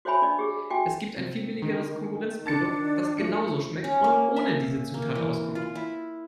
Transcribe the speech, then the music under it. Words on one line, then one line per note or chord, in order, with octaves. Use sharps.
Es gibt ein viel billigeres Konkurrenzprodukt, das genauso schmeckt und ohne diese Zutat auskommt.
F#4 C5 C#5 E5 G#5 B5
D4 D5 D#5
G4 G#4
F#4 E5 G5 G#5
C3
D3 D#3
D4 A5 A6 C#7
F3 A3 C#7
C#4
A#3
E5
A#3
E3
F4
E4